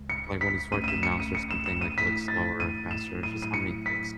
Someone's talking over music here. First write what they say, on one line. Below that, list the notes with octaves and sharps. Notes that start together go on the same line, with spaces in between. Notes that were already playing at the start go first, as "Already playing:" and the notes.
like when you swipe your mouse or something, like it looks slower or faster, it's just how many ticks
Already playing: C#2 C#3 G#3
C#7
B6
C#2 B2 A3 C#4 D#7
D#7
E7
C#7
D#7
C#7
E7
E7
D#7
G#2 E3 A3 E4 B6
A6
D#7
E7
A2 F#3 A3 E4 D#7
D#7
C#7
B6